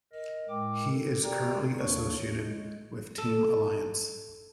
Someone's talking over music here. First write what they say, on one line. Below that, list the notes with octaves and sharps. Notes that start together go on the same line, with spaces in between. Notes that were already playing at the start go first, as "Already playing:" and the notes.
He is currently associated with "Team Alliance".
A#4 D#5
A2 G#3 A#4 G5 D6
A4
F#4 G4 A#4 D5 G5 A#5
D#2 A#3 D4 C#5 C#6
G#3
A4